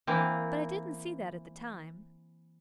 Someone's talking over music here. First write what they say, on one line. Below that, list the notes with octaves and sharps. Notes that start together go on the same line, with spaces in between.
But I didn't see that at the time.
E3 A#3 C4